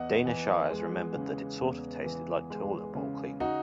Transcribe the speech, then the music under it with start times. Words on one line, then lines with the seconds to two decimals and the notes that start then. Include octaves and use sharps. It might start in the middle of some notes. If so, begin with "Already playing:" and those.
Dana Shires remembered that it sort of tasted like toilet bowl cleaner.
Already playing: E2 D#5 F#5
0.26 E3
0.70 G#3
1.15 C#3
1.60 E2
2.04 E3
2.50 G#3
2.95 C#3
3.40 D#4 F#4